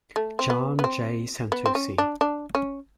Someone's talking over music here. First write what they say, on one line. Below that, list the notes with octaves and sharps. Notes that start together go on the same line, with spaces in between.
John J. Santucci.
A3
C4
B3
B3
C4
B3
C4
C#4
D4
D4
C#4